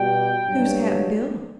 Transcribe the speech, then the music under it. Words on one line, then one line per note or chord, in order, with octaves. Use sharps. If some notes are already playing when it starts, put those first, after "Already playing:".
"Who's Cap'n Bill?"
Already playing: B2 G3 G5
G2 F#3